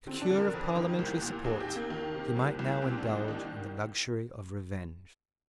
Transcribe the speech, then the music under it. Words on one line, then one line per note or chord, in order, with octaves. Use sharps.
Secure of parliamentary support, he might now indulge in the luxury of revenge.
D3 C4
D4
D3
A#4
F2
D#3
C2
A#2
D#2 G#4
G4
D#2
A#3
D#3
C3
C2
C2
A#2 C4
D4
C2
D#4
D#3 D4